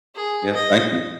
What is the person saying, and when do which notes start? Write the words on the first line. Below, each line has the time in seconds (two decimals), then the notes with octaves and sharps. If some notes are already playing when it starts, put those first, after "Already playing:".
Yeah, thank you.
0.15 G#4
0.54 D#5